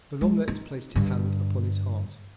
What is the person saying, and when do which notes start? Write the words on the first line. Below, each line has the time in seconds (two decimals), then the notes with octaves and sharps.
De L'Omelette placed his hand upon his heart.
0.21 G#3
0.48 D#4
0.96 G2 D3